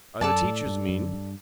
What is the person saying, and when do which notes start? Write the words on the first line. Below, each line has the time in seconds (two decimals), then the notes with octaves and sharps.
"Are the teachers mean?"
0.21 F#2 A4 D5 A5
0.44 A2
0.66 G2
0.89 F#2
1.12 G2